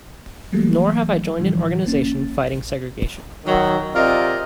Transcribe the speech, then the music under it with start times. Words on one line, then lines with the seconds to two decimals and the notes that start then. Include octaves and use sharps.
Nor have I joined an organization fighting segregation.
0.52 E3 F#3 G3 A3 A#3
1.39 A2 D3 E3 F3 G3
1.86 G1 A#3 C#4 A6
3.46 D#3 F#3
3.95 C3 C4 F4 A#4 D5 D#5